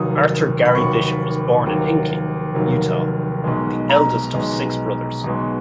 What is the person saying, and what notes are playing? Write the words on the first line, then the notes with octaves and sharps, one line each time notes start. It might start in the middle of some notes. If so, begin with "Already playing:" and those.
Arthur Gary Bishop was born in Hinckley, Utah, the eldest of six brothers.
Already playing: F1 D#2 D#3 F#3 D#6
B5
F1 D#2 D#3 F#3 C#6
F1 D#2 D#3 F#3
F1 D#2 D#3 F#3
B1 B2 G#3
A#5
B1 B2 G#3
B1 B2 G#3